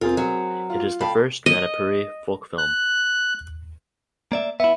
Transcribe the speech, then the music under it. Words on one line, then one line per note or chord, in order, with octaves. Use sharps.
It is the first Manipuri folk film.
C4 F4 G#4 A#4
F#3
F4
F5 G5 A5 B5
D#5
F#6
A#3 D5 E5
B3 E4 E5